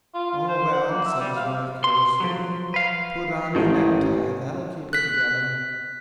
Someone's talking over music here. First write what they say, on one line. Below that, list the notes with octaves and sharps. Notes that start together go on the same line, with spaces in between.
"Oh, well," said his wife, carelessly, "put on your necktie--that'll keep it together."
F4
F4
C5
F#5
A#3
E5
G3
F5
C6
F3 F#3
B4 F5
A1 G#2 D#3
F#6 B6